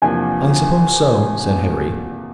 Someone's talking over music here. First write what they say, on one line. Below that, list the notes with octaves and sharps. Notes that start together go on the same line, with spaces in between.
"I suppose so," said Harry.
E2 C3 F3 A#3 D4 G#5